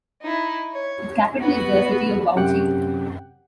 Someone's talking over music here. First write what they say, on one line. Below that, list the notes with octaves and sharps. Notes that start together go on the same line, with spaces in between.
Its capital is the city of Bauchi.
D#4 E4
C#5
B3 F#4
F#2 C3 G4 F#5 G5 F#6